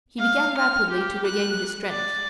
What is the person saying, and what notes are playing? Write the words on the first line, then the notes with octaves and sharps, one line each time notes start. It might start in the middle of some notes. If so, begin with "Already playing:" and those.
He began rapidly to regain his strength.
F5
F6
G4
F#6
D5